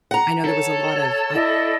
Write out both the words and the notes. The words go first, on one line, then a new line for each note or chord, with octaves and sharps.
I know there was a lot of I
F#5 A#5
A4 C#5 A5
E4 D5 D#5